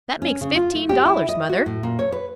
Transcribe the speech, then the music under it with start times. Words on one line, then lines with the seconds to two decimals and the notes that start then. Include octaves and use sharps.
That makes fifteen dollars, mother.
0.22 C#4
0.41 C#3
0.56 F4
0.75 A3
0.89 G4
1.05 E4
1.29 D#5
1.49 F#4
1.66 A2
1.83 A#2
1.99 C#5
2.12 B4